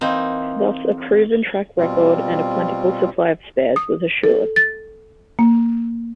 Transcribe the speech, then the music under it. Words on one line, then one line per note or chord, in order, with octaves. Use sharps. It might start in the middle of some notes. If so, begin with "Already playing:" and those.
Thus a proven track record and a plentiful supply of spares was assured.
E3 A#3 C4 D#4
B2 G3 C4 F4
D#6
A4
A6
A#3